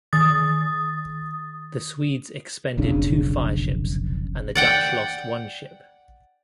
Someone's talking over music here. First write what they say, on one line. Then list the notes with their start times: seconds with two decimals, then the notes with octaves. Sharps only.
The Swedes expended two fireships and the Dutch lost one ship.
0.13 D#3 D#6 A6
2.77 F1 B1 C#3 D4
4.55 D5 F#5 G5